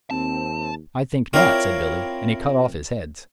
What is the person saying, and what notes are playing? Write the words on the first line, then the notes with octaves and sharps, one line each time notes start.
"I think not," said Billy; and he cut off his heads.
D#2 C4 A5
C4 E4 F4 A#4 C#5 D5